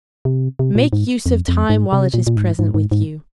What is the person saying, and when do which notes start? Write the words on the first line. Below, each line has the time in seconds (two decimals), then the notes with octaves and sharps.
Make use of time while it is present with you.
0.25 C3
0.59 C3
0.75 A#2
0.93 G#2
1.26 F2
1.48 F2
1.70 G#2
1.93 C3
2.14 A#2
2.27 A#2
2.37 G#2
2.59 G#2
2.74 G#2
2.91 G#2